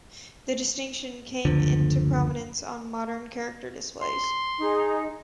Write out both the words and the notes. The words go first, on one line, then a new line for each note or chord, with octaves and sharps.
The distinction came into prominence on modern character displays.
F#1 D2 D3 F3
C6
D#4 G#4